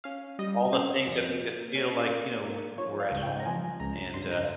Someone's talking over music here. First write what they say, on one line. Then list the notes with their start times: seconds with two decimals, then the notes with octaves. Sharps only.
all the things that make us feel like, you know, we we're at home, and, uh,
0.04 C#4 F5
0.39 G3 D#5
0.73 C#4 C5
1.06 F2
1.41 A#2
1.75 C#4
2.09 A#3
2.44 A#3
2.78 F3 C#5
3.00 F5
3.11 C#2
3.23 G5
3.40 A#5
3.45 F3 G#5
3.80 C#2 A#5
4.14 G2 C6
4.31 A#5